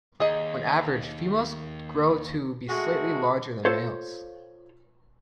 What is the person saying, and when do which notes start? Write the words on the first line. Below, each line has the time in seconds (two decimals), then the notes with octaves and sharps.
On average, females grow to be slightly larger than males.
0.20 D#2 G#4 D#5 A#5
2.69 G#3 A3 F#4
3.65 F4 A4 C5 C#5